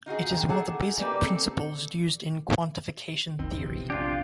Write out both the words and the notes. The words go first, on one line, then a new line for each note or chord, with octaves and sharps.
It is one of the basic principles used in quantification theory.
D#4 F4 F#4 G#4
D#3 G5
A#3 G#4 A4 F#5
G#4
G3 A#3 G4 B4 D5
C4 A4
F1 B1 D#3 C4
A#1 E2 C3
D4 F4 G4